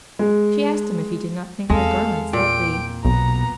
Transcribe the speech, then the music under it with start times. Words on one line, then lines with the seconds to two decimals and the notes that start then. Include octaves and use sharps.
She asked him if he did not think the garlands lovely.
0.19 G#3
1.70 E2 G#3 C4 A4 F5
2.33 A#2 G5 D7
3.05 B1 B3 A#5